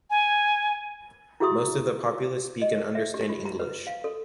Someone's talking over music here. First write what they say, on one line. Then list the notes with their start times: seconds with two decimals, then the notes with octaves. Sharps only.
Most of the populace speak and understand English.
0.10 G#5
1.40 E4 F#4 G#4 E5 C6 D#6
2.62 D#5
2.78 A#4
2.95 E5
3.14 G4
3.29 F4
3.45 A#5
3.60 B4
3.87 F5
4.04 A4